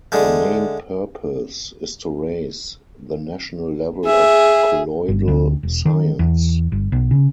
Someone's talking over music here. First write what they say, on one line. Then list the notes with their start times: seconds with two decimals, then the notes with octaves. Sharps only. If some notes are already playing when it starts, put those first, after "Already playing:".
The main purpose is to raise the national level of colloidal science.
0.12 D3 G#3 A3
4.06 G#4 E5
5.08 G1
5.28 D2
5.63 E1
5.85 D#3
6.19 E2
6.72 G1
6.92 B1
7.11 C#3